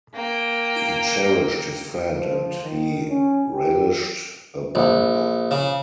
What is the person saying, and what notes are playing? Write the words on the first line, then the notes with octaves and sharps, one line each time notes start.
He cherished his friend and he relished a bumper.
A#3 G5
F3
D#3
C#4
G4
A#1
C#3